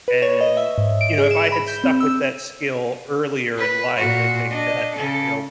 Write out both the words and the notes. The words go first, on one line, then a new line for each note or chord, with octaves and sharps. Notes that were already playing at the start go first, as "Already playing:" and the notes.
And, you know, if I had stuck with that skill earlier in life, I think that, you know,
B4
C#5
D#5
E5
G#2
D7
G#4
E7
B5
G6
C4
E6
B4
A#2 F#4
D4 D#5
C#3 A4